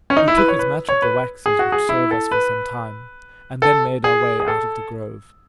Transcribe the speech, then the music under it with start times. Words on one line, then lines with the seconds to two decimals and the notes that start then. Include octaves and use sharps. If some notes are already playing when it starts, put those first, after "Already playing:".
We took as much of the wax as would serve us for some time, and then made our way out of the grove.
0.10 C#4
0.17 D#4
0.28 E4
0.37 B4
0.48 C#5
0.59 B4
0.89 C#5
1.02 B4
1.46 G#4
1.59 F#4
1.72 G#4
1.89 E4
2.11 A4
2.31 B4
3.62 A4
4.04 G#4
4.40 G#4
4.48 A4